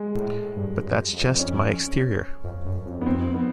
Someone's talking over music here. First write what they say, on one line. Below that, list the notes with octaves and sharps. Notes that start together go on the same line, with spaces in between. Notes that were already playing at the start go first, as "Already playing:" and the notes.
But that's just my exterior.
Already playing: G#3
A2
G2
F#2
F2
C#4
F2
F#2
F2
B3
C4
B3